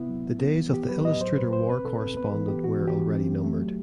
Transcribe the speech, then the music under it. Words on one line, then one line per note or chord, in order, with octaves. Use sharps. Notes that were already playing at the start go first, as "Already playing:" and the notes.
The days of the illustrator war correspondent were already numbered.
Already playing: C3 B3 E4
F#3
B3
B3
E3
B3 G4
F#3 B4
A2 D#5
F#3 C5
A2 B4
A2 C5
C4 B4
B2 A4
C4 B4
B3 B4
E3 A4
B3 G4
E3 F#4
E3
G4
E3
C4
A3
A3
F#3